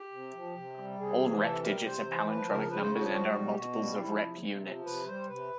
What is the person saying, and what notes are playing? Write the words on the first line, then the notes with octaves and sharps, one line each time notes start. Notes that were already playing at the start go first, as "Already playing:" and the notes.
All repdigits are palindromic numbers and are multiples of repunits.
Already playing: G4
C3
F3
C3
G3
C3 G#4
E3
C3 A4
G3 A#4
C3 C5
E3
F3 B4
C#3 A#4
C#3 B4
C5
F3 F#4
G3 F#4
B2
G4
B2 F#4
G3
F3 E4
C3
C3
F3
C3 B4
G3 C5
C3 B4